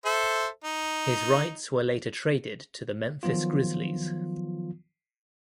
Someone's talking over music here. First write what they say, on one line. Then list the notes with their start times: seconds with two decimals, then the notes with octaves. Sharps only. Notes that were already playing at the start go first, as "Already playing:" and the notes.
His rights were later traded to the Memphis Grizzlies.
0.05 A4 C5 E5
0.64 D#4
3.23 D#3 F3 F#3 B3 F4